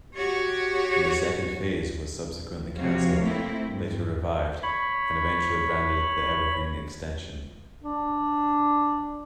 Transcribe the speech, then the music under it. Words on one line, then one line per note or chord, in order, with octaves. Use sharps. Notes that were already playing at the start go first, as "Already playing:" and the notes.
The second phase was subsequently cancelled, later revived and eventually branded the Evergreen Extension.
F#4 G4 C#5
F2 C3 F#4 C#5 F5
A3 A#3 C4 E4
G2
C#5 B5
D4